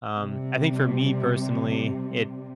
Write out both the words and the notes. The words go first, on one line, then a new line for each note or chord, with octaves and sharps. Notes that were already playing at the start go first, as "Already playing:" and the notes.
Um, I think for me personally, it
C3 G3